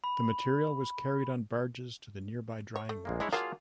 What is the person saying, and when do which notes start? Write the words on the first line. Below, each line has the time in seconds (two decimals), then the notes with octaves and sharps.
The material was carried on barges to the nearby drying works.
0.04 B5
2.76 C#5
2.89 A3
3.05 A#1 G#3 A#3
3.20 G#3 D4 E4 C#5
3.33 F#3 A#3 D4 F4 G#4 F5